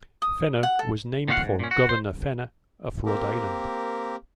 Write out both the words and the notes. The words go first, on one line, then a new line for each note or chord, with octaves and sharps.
Fenner was named for Governor Fenner, of Rhode Island.
D#6
F#5
A4
A#2 D#3 F#4 F5 F#5
G#2
A#2 C#4
F#4
C5
A#3 C4 G4 A#4